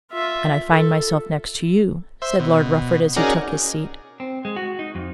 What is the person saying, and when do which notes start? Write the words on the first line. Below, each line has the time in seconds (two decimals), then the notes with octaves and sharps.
"And I find myself next to you," said Lord Rufford as he took his seat.
0.12 F4 E5
0.69 A4
2.22 C5 E5
2.39 B2
3.16 C#4 D#4 F#4 G#4 A#4 D5
4.20 C4
4.45 G#3
4.56 F#4
4.79 D#4
4.95 F2